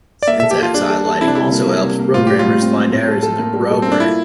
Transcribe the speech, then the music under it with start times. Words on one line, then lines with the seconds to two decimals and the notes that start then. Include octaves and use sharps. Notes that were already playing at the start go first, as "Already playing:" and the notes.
Syntax highlighting also helps programmers find errors in their program.
0.23 D5
0.27 A#3 E5
0.40 A4 E5
0.51 G4
0.58 F4 A4
0.74 G3 D4
0.89 A4
1.05 A4
1.21 C3 E4
1.28 D4
1.35 G3 E4
1.52 A#3
1.67 A#3
1.83 C3
1.99 A#3
2.14 A2 F4
2.27 G3 G4
2.39 F4
2.45 A2
2.62 C4
2.77 C4
2.92 A2
3.08 A4
3.23 A4
3.39 A#3
3.54 G3
3.70 A4
3.82 A#3 C4
3.92 D4
4.00 E4 F4